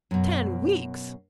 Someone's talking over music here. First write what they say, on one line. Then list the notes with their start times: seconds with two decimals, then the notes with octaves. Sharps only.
"Ten weeks!"
0.11 F#2 B2